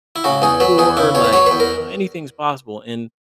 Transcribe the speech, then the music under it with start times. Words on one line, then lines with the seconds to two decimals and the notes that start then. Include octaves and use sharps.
um, core, like, you know, anything's possible and
0.16 E4
0.24 C#3 F#4
0.42 E2 G#4
0.60 F#3 B4
0.78 E2 G#4
0.97 C#3 E4
1.15 E2 C#5
1.24 B4
1.33 F#3 C#5
1.46 B4
1.51 E2
1.60 A#4